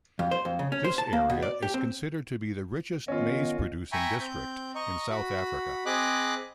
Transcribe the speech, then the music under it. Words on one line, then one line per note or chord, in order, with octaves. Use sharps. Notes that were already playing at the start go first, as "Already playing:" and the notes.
This area is considered to be the richest maize-producing district in South Africa.
F2
C5
F2
C#3
C#4
C5
A5
A#3
B2
D5
G4
C4
D#3 B3 C#4 F4 D#5
E5 G5 G#5 A#5 B5 C#6
C4 G6
D#5 A#5 C#6
F#4 B5
C4 G#4 D#5 B5 D6 F#6